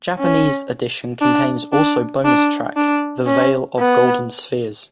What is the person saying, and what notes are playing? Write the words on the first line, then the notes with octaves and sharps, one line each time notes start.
Japanese edition contains also bonus track "The Veil of Golden Spheres".
C#4
D4
D4
D4
D4
C#4
B3